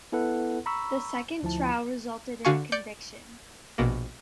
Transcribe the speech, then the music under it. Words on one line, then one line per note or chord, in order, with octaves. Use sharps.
The second trial resulted in a conviction.
B3 E4 A4 B4 F#5
A#5 B5 C#6 E6
D2 F3 E4 A5
D3 F#4 F5 G#5 C#6
D5 G6 C#7
A#1 B2 A#3